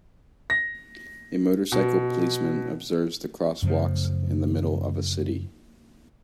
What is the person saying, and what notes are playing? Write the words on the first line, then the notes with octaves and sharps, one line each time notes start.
A motorcycle policeman observes the crosswalks in the middle of a city.
A#6
B2
F#2 C#3 F3 A3